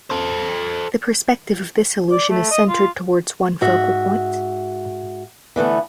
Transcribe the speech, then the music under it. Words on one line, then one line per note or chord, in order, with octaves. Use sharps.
The perspective of this illusion is centered towards one focal point.
A4 C5
D5
A3
D#5
F4
G#2 F#4 E5
D3 E3 A3 B3